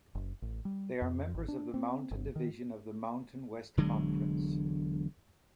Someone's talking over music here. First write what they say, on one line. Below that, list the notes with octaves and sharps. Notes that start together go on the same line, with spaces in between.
They are members of the Mountain Division of the Mountain West Conference.
F#1
A1
G3
F2
G#1
D4
C4
G1
D#3
E1 D3 F#3 G#3